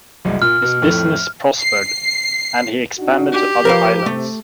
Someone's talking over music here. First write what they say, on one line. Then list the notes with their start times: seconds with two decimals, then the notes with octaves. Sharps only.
His business prospered and he expanded to other islands.
0.25 F#1 C2 G#3
0.42 A#2 F6
0.62 B2
0.82 F2 A2 A3
1.61 C7
2.99 D4 D#4 F#4
3.32 G4
3.65 F3 A#4 B4 F5
4.06 C3 A3